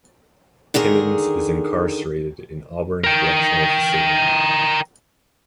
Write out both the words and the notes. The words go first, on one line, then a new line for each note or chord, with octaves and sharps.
Timmons is incarecerated in Auburn Correctional Facility.
D3 D#3 G#4 A#4
A#4 G5